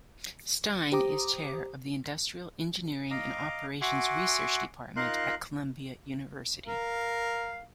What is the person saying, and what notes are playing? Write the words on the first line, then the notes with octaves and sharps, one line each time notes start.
Stein is chair of the Industrial Engineering and Operations Research Department at Columbia University.
G4 C5 A#5 D6 D#6
D#5 F5 A#5 D6
F#4 E5 F#5 G#5 C6 D6
D#4 F4 A#4 F5 C6 F#6
A#4 F5